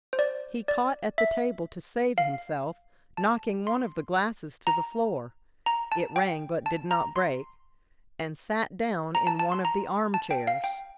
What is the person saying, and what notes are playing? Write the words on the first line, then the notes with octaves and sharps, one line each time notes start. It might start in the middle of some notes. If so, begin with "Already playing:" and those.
He caught at the table to save himself, knocking one of the glasses to the floor--it rang but did not break--and sat down in one of the armchairs.
C5
D5
D5
E5
F5
A5
C6
A#5
A#5
A5
G5
A5
A#5
C6
A#5
A5
A5
C6
A#5
A5
G5
F5
G5